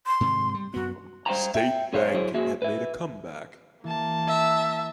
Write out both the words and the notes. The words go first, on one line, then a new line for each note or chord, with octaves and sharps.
State banking had made a comeback.
C6
G#2 C3 D#3
G3
F#2 B3 F#4
G3 C5 F5 G5 A#5
E5 G5
B1 G#4 C5 C#5 F5
F#3 E4 G#4 C5 C#5
A#3 F#4 G#4 E5
B4 E5
E3 A#3 A5
E5